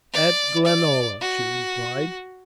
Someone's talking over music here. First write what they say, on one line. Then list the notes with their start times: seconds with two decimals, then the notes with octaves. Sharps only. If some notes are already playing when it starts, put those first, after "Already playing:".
"At Glenalla," she replied.
0.13 D5
0.65 D5
1.21 F#4